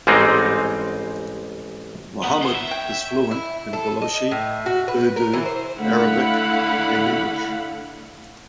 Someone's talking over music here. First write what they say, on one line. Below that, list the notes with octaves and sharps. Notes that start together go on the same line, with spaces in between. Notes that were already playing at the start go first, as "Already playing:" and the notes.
Mohammed is fluent in Balochi, Urdu, Arabic, and English.
A1 G#2 G3 G#3 C4 D#4
B3 D#4 F#5 D#6
E4 C5 C#5
E5
C#5 G5
E4
A4
D#5
A2
F#4
B4
A#4
E3
C5
D3 A3 E4 F5 F#5 B5